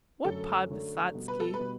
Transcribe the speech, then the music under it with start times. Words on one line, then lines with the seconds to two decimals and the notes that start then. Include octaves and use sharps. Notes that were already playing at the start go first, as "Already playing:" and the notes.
"What Podvysotsky?"
0.24 F#2 D3 F#3 A3 D4 A4
0.70 F#2 D3 F#3 A3 D4
1.15 B2 G3 B3 F#4
1.28 B4
1.40 A4
1.54 B4
1.59 B2 G3 B3 F#4